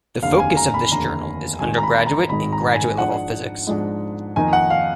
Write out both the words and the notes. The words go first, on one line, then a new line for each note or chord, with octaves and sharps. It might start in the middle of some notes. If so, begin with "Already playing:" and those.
The focus of this journal is undergraduate and graduate level physics.
F1 D#2 D3 F5
G#5
A#5
B5
F1 D#2 D3 A#5
G#1 G#2 D#3 G#3 G#5
A#5
B5
A#5
G#1 G#2 D#3 G#3 B5
A#5
G#5
G#2 F3 G#3 D4 F#5
G#2 F3 G#3 D4
F2 D#3 A#3 D#4 G#5
F#5
F5